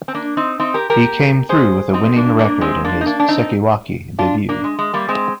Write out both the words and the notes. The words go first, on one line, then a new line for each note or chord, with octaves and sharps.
He came through with a winning record in his "sekiwake" debut.
C4
A#3 D4
C4 D#4
C4 D#4
G4 A#4
G4 A#4
G#4 C5
C4 D#4
A#3 D4
A#3 D4
G#3 C4
A#3 D4
D#4
A#3 D4
D4
C4 D#4
D4 F4
A#3 D4
G#3
G#3
G3 A#3
G#3 C4